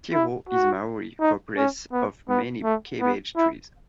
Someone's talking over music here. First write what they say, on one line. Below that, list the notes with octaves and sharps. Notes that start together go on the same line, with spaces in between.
Tirau is Maori for place of many cabbage trees.
E4
F#4
D#4
C#4
B3
B3
A3
B3
E4